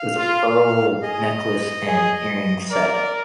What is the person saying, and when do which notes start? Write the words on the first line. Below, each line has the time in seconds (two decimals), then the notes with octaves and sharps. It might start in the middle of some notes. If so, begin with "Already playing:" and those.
it was a pearl necklace and earring set.
Already playing: F5
0.17 F4
1.02 G#4 D#5
1.87 G#4
2.71 A#4 D5
2.93 D5